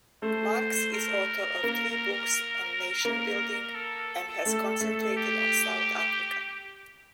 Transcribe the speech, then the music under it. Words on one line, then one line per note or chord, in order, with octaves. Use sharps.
Marx is author of three books on nation-building, and has concentrated on South Africa.
A3 C5
A#4
A#3
A#3
A4
A3
A3
G4